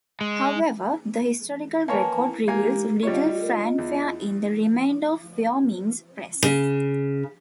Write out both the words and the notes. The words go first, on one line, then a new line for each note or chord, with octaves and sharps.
However, the historical record reveals little fanfare in the remainder of Wyoming's press.
G#3
A#3 B4 C#5 G#5 A5
G#3 A#3 G4 G#5
G3 F4 C#5 D#5
E2
C#3